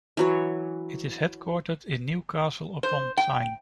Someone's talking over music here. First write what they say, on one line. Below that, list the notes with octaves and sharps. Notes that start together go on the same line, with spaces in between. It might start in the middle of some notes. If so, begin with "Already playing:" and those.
It is headquartered in Newcastle upon Tyne.
E3 F#3 C#5
C5
G5